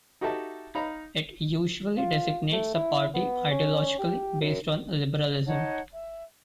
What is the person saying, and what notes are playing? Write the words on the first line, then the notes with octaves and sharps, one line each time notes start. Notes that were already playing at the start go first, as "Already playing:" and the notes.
It usually designates a party ideologically based on liberalism.
D#4 F#4 G4 A4 E5 A5
D#4 F5 A#5 B5
F4
A3
E4
B3
C#4
G4
F#2
D#4 C#5 F#5 A5
E5